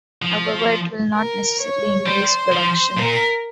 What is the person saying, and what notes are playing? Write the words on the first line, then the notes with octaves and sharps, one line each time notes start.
However, it will not necessarily increase production.
F3
A#4
C#5
G3 C5
F3
A#2 A#4